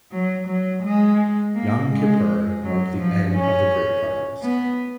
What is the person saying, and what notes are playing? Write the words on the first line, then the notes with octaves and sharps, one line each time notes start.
Yom Kippur marked the end of the grape harvest.
F#3
F#3
G#3
A#3
G#3
F#3
F3
C#4
B3